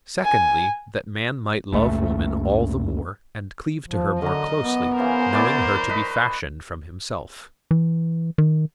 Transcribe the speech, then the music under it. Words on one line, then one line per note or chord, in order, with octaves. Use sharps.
Secondly, that man might love woman all the more, and cleave to her more closely, knowing her to be fashioned from himself.
G#5
F#1 C#2 A3
F3
F#2 D3 D#5 A#5
B3
C#3 E3 A#4 C5
E4 C#5 D5
B4 D#5
E3
D#3